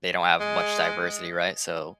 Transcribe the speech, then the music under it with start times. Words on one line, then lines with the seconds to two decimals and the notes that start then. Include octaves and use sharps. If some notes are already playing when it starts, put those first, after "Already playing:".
they don't have much diversity, right? So
0.40 G#3